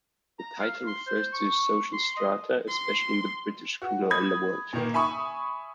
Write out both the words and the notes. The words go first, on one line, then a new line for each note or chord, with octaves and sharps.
The title refers to the social strata, especially in the British criminal underworld.
A#5
F5
C6
C5
C#6
C6
D#5
C6
F#4
B5 D#6 G#6
A#2 D#3 A#3
E5 G#5 B5 C#6 D#6